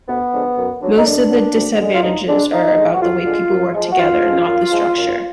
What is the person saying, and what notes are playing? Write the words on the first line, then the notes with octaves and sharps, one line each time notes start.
Most of the disadvantages are about the way people work together, not the structure.
D2 B3
D3 F3 G#3
F#2
D3 F#3
D#4
F#2 D4
D3 F#3
D2
D3 G#3
F4
D2 D#4
D3 G#3 D4
F2 D#4
D3 G#3
F#4
F2 F4
D3 G#3
F#2
F3 G#3
F#4
F#2 F4
F3 G#3
F#2
F3 G#3
F#2